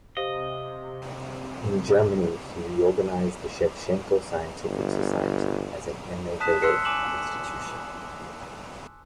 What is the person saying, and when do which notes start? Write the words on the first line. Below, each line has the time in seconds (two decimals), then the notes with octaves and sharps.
In Germany, he reorganized the Shevchenko Scientific Society as an émigré institution.
0.17 C3 G4 C5 D#5 F5
4.68 G1
6.40 A5 D#6 F#6 B6 E7
6.62 C6 E6 F#6 C7 C#7
6.85 G#5 D6 E7 F#7